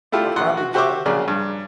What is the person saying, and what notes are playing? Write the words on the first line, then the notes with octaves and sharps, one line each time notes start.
Not happy, Jan!
A3 E4 F4 G4
A#1 F#5 C6
F#4
F#4 G4 C5 E5 C#6 D6
A#1 C#3 F#3 D5 F6
G2